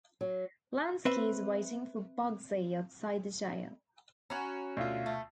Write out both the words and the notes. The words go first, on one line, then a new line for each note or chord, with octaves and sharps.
Lansky is waiting for Bugsy outside the jail.
F#3
C4 B4 E5
C#4 F#4 G#5 A#5 B5
D2 B2 F4 E5 F5
A3